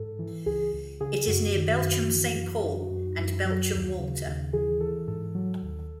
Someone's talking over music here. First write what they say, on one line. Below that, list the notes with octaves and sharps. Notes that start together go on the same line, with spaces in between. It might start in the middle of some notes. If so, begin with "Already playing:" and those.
It is near Belchamp Saint Paul and Belchamp Walter.
Already playing: G#2 A4
E3
C#2 G#4
C#2
C#3 G#4
F#2 F#4
D#3
F#2
E3
F#2
F#2
F#2
F#2
F#3
D#2
C#3
D#2
E3 G#4
E3 A4
G#2 A4
F#3
D#2